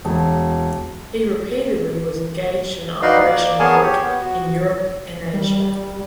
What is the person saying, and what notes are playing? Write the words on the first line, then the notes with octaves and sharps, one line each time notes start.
He repeatedly was engaged in operational work in Europe and Asia.
E1
D#4 F#4 B4 D5 D#5 F5
A#3 D5
B3 G#4 A#4 C#5 G#5 A5
G4 C#5
B3
F#4
G3